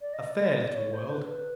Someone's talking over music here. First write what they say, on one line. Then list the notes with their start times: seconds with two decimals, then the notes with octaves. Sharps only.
A fair little world.
0.01 D5
0.14 D#5
0.26 D5
0.57 D5
0.75 C#5
0.93 C5
1.08 C5
1.12 B4
1.30 B4